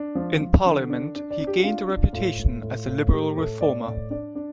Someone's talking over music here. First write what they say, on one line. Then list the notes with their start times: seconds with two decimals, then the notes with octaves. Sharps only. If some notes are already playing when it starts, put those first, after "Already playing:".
In Parliament he gained a reputation as a liberal reformer.
Already playing: D4
0.15 F3
0.40 F3
0.66 D3
0.90 D4
1.15 D4
1.30 D5
1.40 D4
1.47 G4
1.63 D4 F4
1.88 D4
2.13 A2 F4
2.39 A2
2.63 A2
2.87 A2
3.13 A3 G4
3.37 A2 A4
3.61 A2 D5
3.86 A2
4.10 D4 D5
4.35 D4